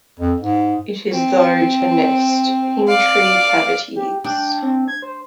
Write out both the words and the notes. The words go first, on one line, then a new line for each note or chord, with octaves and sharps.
It is though to nest in tree cavities.
F2
G#2
C4
D5 F5
G4
D4 G5
C4
G#6
C5